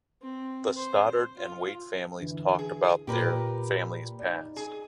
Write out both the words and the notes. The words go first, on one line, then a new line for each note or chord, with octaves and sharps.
The Stoddard and Waite families talked about there families past.
C4
C5
F4
D3 E3
G#4
A#2 G4 A#4 B4
D#4 D5
G#4